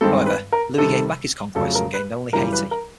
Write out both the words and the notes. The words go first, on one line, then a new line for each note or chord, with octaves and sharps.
However, Louis gave back his conquests and gained only Haiti.
G2 D#3 G#3 C4 A4
B4
A#4
C3 D#3 G3 A4
F2 C#3 F#3 A3 A4
A#4
B4
F#2 C#3 E3 G3 A#4
B4
A#4